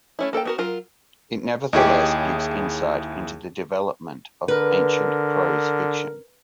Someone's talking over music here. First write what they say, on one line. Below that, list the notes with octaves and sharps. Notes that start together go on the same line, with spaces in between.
It nevertheless gives insight into the development of ancient prose fiction.
A3 C#4 E4
A#3 A4 C#5 G5
B3 F#4 A#4
F#3 F4 A#4
D#2 E4 G4 G#4 C#5 D#5
D3 A#4 B4